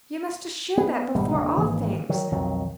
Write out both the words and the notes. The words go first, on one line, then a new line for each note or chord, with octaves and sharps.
You must assure that, before all things.
B3
G#1 B2 G3 A3
F#1 E2 A3 D4
G#1 D#3 E3 A#3
D#3 F#3
B1 F2 D#3 F#3